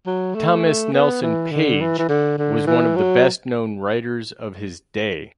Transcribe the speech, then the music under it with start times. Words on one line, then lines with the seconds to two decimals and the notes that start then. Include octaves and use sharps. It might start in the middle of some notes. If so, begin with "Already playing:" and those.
Thomas Nelson Page was one of the best-known writers of his day.
0.07 F#3
0.35 A3
0.65 A3
0.93 B3
1.22 E3
1.51 D3
1.81 E3
1.99 E3
2.09 D3
2.38 D3
2.67 E3
2.96 F#3